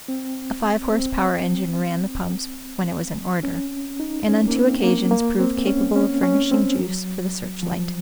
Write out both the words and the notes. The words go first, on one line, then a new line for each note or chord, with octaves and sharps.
A five-horse power engine ran the pumps when it was in order, and on two occasions proved capable of furnishing juice for the search-light.
C4
C4
C#4
D#4
C#4
A#3
C4
A#3
A#3
C4
C#4
C#4
C#4
C4
F#3
F3